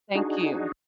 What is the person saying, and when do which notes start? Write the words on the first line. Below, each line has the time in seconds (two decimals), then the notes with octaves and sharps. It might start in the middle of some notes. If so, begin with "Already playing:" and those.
Thank you.
0.15 D4 D#4 F#4 G#4